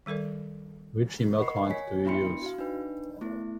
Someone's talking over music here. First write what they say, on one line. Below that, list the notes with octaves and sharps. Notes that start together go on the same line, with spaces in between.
Which email client do you use?
D#3 G3 A4 A#4 D5
A#4 D#5 F#5 B5 C#6 C7
C#5 G#5 B6
B3 D4 E4 B5 C6 C#7
F#4 F5
D4 D#4 B4
A3 B3 E4